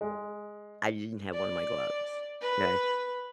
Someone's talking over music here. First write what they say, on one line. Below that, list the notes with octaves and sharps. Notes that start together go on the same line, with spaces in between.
I didn't have one of my gloves. 'Kay?
G#3
D5
B4